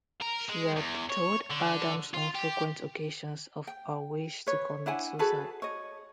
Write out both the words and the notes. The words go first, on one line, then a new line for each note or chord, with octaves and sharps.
She had told Adams on frequent occasions of her wish to commit suicide.
A#4
G#3
E2
C#5
D3
F4
G4
G5
B4 C#5
D4 E4 F#5 G#5
F#4 G#4 A4 B4
C#5 D#5